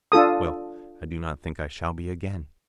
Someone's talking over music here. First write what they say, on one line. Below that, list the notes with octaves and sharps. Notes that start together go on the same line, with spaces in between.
Well, I do not think I shall be again.
D4 F4 A4 D#6